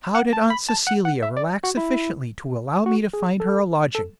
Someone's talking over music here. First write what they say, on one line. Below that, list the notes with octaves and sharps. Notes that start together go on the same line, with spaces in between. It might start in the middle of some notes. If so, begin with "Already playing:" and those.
How did Aunt Celia relax sufficiently to allow me to find her a lodging?
F#5
A5
B5
A5
F#5
F#5
E5
D5
F#4
E4
F#4
G#4
A4
A4